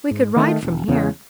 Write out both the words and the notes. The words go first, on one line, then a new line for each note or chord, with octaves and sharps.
"We could ride from here."
G#2
D#3 A3
E1
E2 C#3